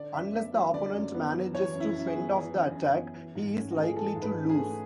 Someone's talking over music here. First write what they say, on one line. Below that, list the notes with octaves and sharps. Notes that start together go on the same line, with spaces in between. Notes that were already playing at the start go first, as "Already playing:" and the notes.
Unless the opponent manages to fend off the attack, he is likely to lose.
Already playing: D3 D5
F#2 E5
B3 E5
F#3
D3 D5
F#2
B3
F#3
E3 C#5
F#2
E4
F#2
G#4
B3
E3
F#2
F#2
B3
E3
G#2
C#4
F#4
A3
G#4
E3 A4
G#2
B4
C#4
G#4
A3